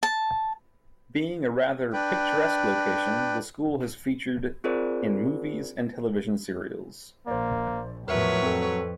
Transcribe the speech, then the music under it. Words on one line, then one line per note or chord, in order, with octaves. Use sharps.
Being a rather picturesque location, the school has featured in movies and television serials.
A5
D4 B4 G5
C4 F4 G#4 A#4 C5 D5
A#1 A#3 C5 D5
E2 A2 F3 F#3 A#4 B4 C#5 E5
F2 C4 A4